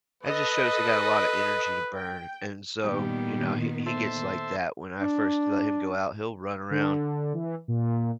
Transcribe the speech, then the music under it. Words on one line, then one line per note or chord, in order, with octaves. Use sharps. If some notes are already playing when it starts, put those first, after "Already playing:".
That just shows they got a lotta energy to burn. And so, you know, he he gets like that. When I first let him go out, he'll run around,
A4 B4 D#5
G5
A#2 D#3 G3 B3
A4 C5 E5
D4
D3
E3
A#2